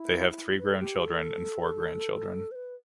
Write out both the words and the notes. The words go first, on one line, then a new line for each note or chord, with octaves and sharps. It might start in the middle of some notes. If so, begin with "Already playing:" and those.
They have three grown children and four grandchildren.
Already playing: E4
E4
B4
A4
G4
A4
C5
B4